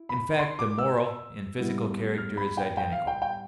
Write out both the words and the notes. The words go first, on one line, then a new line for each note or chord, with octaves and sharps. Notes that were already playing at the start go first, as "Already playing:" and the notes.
In fact, the moral and physical character is identical.
Already playing: E4
B5
C6
D6
E6
A2 G3 B3 E4
F6
B5
G5
G5
F5
G5
G5